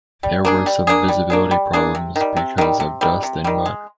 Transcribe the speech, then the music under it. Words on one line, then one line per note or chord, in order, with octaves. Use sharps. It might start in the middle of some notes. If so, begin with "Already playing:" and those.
There were some visibility problems because of dust and mud.
G3
A#3 D4 G#4
G3
A#3 D4 G#4
G3
A#3 D4 G#4
G3
A#3 D4 G#4
C3
D#3 G3
C3
D#3 G3
C3
D#3 G3
C3
D#3 G3
G#3